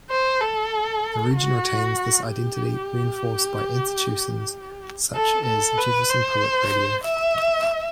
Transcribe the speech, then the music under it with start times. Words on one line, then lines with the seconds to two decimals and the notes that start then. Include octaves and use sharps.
The region retains this identity reinforced by institutions such as Jefferson Public Radio.
0.10 C5
0.41 A4
1.35 F#4
2.31 G4
5.15 A4
5.46 A4
5.78 B4
6.10 C5
7.04 E5